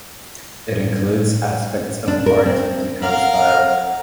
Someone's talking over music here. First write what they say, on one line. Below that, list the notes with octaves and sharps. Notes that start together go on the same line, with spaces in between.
It includes aspects of Art Deco style.
D4
A#4
C4
A#4 F5 F#5 A#5